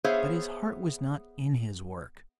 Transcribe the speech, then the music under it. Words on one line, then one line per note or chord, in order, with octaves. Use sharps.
But his heart was not in his work.
B3 G#4 C5 C#5 E5 F5